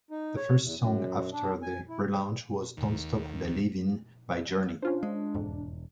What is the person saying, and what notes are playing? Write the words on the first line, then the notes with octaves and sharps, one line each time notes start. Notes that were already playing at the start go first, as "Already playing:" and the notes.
The first song after the relaunch was "Don't Stop Believin'" by Journey.
D#4
C#5
E2
F#2
D4
G#5
E4
D#2
C#4 D4 F4 C5
G#3
E1 F2 G#2